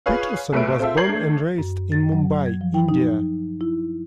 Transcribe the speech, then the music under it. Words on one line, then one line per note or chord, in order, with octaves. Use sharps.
Peterson was born and raised in Mumbai, India.
F4 G#4 B4 C#5 F5
B1 A3 B4 C#5 E5 D7
C4 F4 A4 E5
A#4 C#5 G6 G#6 C7 F#7
A3 D4
F#2
A6
F#3
G#6
F3
G5
D#4
E4